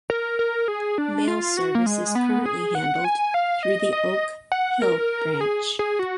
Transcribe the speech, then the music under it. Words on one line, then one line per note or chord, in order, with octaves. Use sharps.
Mail service is currently handled through the Oak Hill branch.
A#4
A#4
G#4
D4
F4
F#4
A#3
G#3
B3
G#4
F#5
G#5
F5
D#5
D#5
F#5
A#4
G#4
G#4
F#4